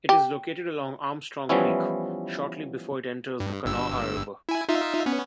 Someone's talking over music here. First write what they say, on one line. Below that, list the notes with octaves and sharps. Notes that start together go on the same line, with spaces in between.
It is located along Armstrong Creek shortly before it enters the Kanawha River.
G4
E3 F3 G3 B3 C#4 E4
G2
G1 G2 E6
E4 G#5
D#4 F4 E5
B3 C#4